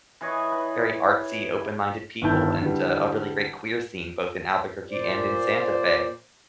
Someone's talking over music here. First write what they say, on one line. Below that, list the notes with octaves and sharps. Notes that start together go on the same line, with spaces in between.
very artsy, open-minded people, and a really great queer scene both in Albuquerque and in Santa Fe,
E3 B4 C#5 D#5
B4
G1 G2 D#3 E4 A5 G6
D3 E3 G3
A#2 C5 D5